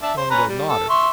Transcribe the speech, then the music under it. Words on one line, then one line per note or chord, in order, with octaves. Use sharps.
Longbill nodded.
D4 E5 A5
C5
C#4 B4 A#5
G3
A4
E5 C6 C#6